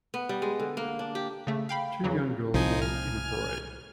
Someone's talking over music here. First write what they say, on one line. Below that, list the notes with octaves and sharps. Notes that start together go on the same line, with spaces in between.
Two young girls walk in a parade.
B3
G3
G#3
D3
A#3
D4
G4
C#3 A3
F5 G5 B5
E2 C#3 E3 F#3
C2 F3 D#4 G#5
G#5 F6